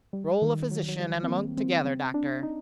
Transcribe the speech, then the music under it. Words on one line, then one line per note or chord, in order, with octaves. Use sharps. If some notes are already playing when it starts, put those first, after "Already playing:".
"Roll a physician and a monk together, doctor!"
G3
D#3
F#3
F#3
G3
C4
A#3
C4
C4
D4
D#4